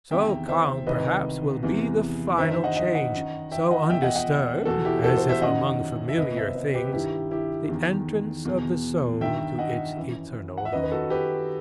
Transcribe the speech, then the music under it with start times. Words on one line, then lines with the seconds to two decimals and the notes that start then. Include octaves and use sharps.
So calm, perhaps, will be the final change--so undisturbed, as if among familiar things, the entrance of the soul to its eternal home.
0.11 E2 C3 D#3 E5 G5
0.48 C5 E5
0.87 C2 C3 D#3 B4 D#5
1.63 E2 C3 E3
2.38 G2 D#3 C5 E5
2.51 C5 E5
2.64 D#5 F#5
2.76 D#5 F#5
2.95 D#5 F#5
3.14 F#2 D#3
3.52 E5 G5
3.71 D#5 F#5
3.90 E2 B2 E5 G5
4.02 D#5 F#5
4.15 D#5 F#5
4.65 E2 B2 F#4 A4
4.85 E4 G4
5.04 F#4 A4
5.16 A4 C5
5.29 C5 E5
5.41 F#2 D#3 D#5 F#5
6.08 E5
6.17 C2 B2 B4 D#5
6.37 C5 E5
6.55 B4 D#5
6.74 G4 B4
6.93 G2 D#3 E4 G4
7.31 E4 G4
7.69 E2 D#3
8.45 E2 B2
9.21 G2 D#3 E5 G5
9.59 D#5 F#5
9.97 F#2 E3
10.58 F#5
10.65 E5
10.72 F#2 D#3 B4 D#5
10.83 B4
10.92 F#4 A4
11.10 G4 B4